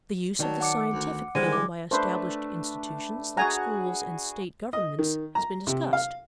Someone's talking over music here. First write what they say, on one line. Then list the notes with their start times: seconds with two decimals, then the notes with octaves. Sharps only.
The use of the scientific film by established institutions like schools and state governments has been discussed.
0.40 D#3 F#3 D5 A5
0.61 F#5 D6 C#7
0.93 D2
1.35 D3 E3 G3 G#3 C5 D#7
1.52 D6
1.91 A3 D4 B4 C5
3.37 F#4 G#4 F#5 G#5 A#5
4.73 D#5
4.99 D#3
5.35 A#5
5.67 C3
5.93 F5